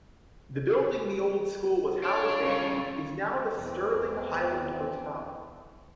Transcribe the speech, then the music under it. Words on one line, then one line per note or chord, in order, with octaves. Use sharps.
The building the old school was housed in is now the Stirling Highland Hotel.
D4 F4 A4 C#5 D5
G2 C#3 F4 G5
E2 E3 C4